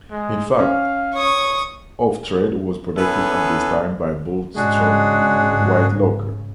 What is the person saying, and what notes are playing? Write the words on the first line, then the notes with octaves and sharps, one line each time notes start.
In fact, Oughtred was protected at this time by Bulstrode Whitelocke.
G#3
C#4 F5
C#5 C#6 D#6
B3 C#4 E4 G#4 A4
G#2 C#3 G#3 D4 F#4 G#4